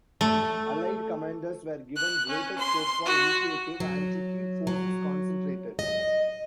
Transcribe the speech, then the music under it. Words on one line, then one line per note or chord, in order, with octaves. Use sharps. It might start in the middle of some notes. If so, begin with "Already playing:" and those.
Allied commanders were given greater scope for initiative and to keep forces concentrated.
A3
F#6
C#4
C6
F#4
F#3
F#3
D#5